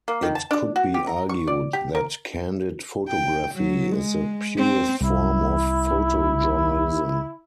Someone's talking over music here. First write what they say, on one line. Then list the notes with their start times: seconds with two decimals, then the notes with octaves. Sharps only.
It could be argued that candid photography is the purest form of photojournalism.
0.08 A#3
0.23 D#3
0.35 A5
0.51 D4
0.76 F#4
0.94 G4
1.07 A#5
1.29 C#6
1.47 D5
1.73 G4
1.95 A#4
3.08 G5
3.55 F#3
3.96 G#3
4.57 C4
5.01 C2 E4